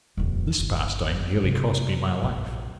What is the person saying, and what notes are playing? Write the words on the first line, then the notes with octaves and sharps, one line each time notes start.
This pastime nearly cost me my life.
D#1 F2
G1
C3
A#1